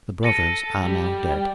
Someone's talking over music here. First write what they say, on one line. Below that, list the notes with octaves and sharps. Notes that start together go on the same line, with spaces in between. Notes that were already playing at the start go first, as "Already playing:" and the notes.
The Brothers are now dead.
A4 A#6 C#7 D#7
G3